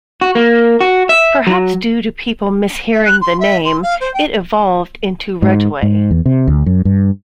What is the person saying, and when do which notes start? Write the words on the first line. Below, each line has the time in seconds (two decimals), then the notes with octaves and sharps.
Perhaps due to people mishearing the name, it evolved into Rudgeway.
0.21 F#4
0.35 A#3
0.81 F#4
1.09 E5
1.47 F#3
2.92 E5
3.05 F#6
3.21 C6
3.40 E5
3.65 C6
3.83 F5
4.01 C5
4.14 G5
5.42 G#2
5.82 G#2
6.11 E2
6.26 C3
6.48 D2
6.66 F#2
6.85 G2